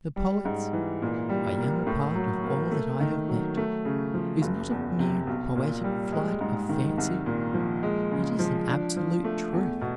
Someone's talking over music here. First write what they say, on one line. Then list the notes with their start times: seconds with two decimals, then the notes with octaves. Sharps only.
The poet's "I am a part of all that I have met" is not a mere poetic flight of fancy; it is an absolute truth.
0.16 G3
0.45 G#2
0.73 E3
1.02 A#2
1.29 G3
1.58 A#3
1.87 A2
2.15 F#3
2.44 A#3
2.71 A3
3.00 D#3
3.29 F#3
3.57 A3
3.85 C#3
4.14 F3
4.42 F#1
4.71 E2
4.99 C3
5.27 B1
5.56 A#2
5.84 G3
6.12 G#3
6.41 G#2
6.69 D#3
6.98 C2
7.26 A#2
7.54 F3
7.83 G#3
8.11 C#3
8.39 F3
8.67 D4
8.97 F3
9.24 A3
9.53 E2
9.81 B2